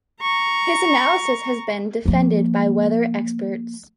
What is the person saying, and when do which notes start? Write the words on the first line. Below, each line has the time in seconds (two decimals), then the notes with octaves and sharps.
His analysis has been defended by weather experts.
0.22 A#5 C#6
2.06 F3 A#3